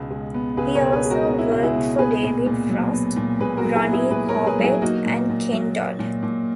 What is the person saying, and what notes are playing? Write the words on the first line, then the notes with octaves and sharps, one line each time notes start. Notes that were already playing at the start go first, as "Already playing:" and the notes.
He also worked for David Frost, Ronnie Corbett and Ken Dodd.
Already playing: C#2 B2 B3
G#3
B3
C#2 G#4 B4
A#4 C#5
B2
G#4 B4
G#3
F#4 A#4
B3
E4
C#2 F#4
E4 G#4
B2
B3 G#4 B4
A#2
A#2
F#3
B3
A#2
A#2 G#4 B4
F#4 A#4
F#3
E4 G#4
B3
E4 G#4
A#2 G#4 B4
A#4 C#5
A#2
G#4 B4
F#3
E4 G#4
A#3 D#4 F#4
A#2
A#2
F#3
A#3
A#2
A#2